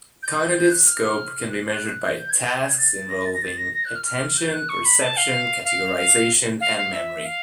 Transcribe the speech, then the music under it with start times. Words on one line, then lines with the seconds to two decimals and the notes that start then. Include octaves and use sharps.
Cognitive scope can be measured by tasks involving attention, perception, categorization, and memory.
0.23 G6
0.55 G6
0.71 F#6
0.87 F6
1.50 F#6
1.72 F#6
2.14 G6
2.30 G#6
2.78 A6
3.10 A#6
3.26 A6
3.34 A#6
3.42 A6
3.58 A#6
3.74 A#6
3.85 F#6
3.95 F6
4.05 F6
4.37 G6
4.53 F#6
4.69 C#6
4.85 B5
5.01 A5
5.17 F5
5.65 F5
5.97 F5
6.61 F5
6.77 F5
6.93 E5
7.25 F5